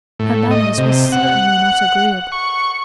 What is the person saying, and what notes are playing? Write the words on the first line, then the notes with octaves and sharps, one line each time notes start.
Her manners were certainly not agreeable.
A2
D#5
C3
F#5
C#6